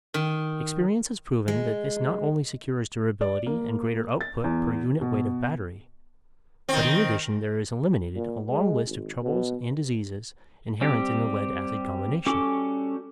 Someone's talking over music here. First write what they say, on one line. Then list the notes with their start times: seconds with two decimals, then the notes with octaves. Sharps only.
Experience has proven that this not only secures durability and greater output per unit-weight of battery, but in addition there is eliminated a long list of troubles and diseases inherent in the lead-acid combination....
0.14 D#3
1.48 G#3
3.21 D5
3.46 A#3
4.21 A6
4.44 E2
5.01 B2
6.69 D#3 C4
8.16 A#2
8.50 G#3
8.87 G#1
9.23 B2
10.81 G3 C4 G4
12.26 G3 C#4 F#4 A4 D6